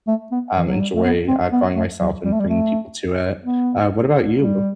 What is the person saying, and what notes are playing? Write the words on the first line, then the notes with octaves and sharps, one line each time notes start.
um, enjoy, uh, going myself and bringing people to it. Uh, what about you b
A3
B3
E3
F#3
G3
A3
B3
C4
B3
A3
F#3
G3
A3
G3
A3
B3
G3